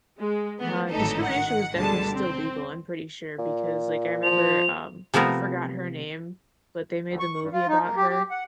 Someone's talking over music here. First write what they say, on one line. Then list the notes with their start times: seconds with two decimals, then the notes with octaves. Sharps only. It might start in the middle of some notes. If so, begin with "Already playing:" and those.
uh, discrimination was definitely still legal, I'm pretty sure, because like I remember, um, I forgot her name, but they made the movie about her.
0.19 G#3
0.60 E3 A3 B3
0.89 G#1 A2 D3 E3 D#4 A4
1.24 D#3 F#5
1.75 D2 B2 D3 G3 G#3 A5
2.13 C4
3.39 A#2
4.23 F3 F7
5.14 C3 F3 A3 B3 A#4
7.08 D2
7.20 C#6
7.41 G2
7.52 F4
7.68 D#4
7.81 A#3
7.97 G4
8.09 G4
8.31 F#5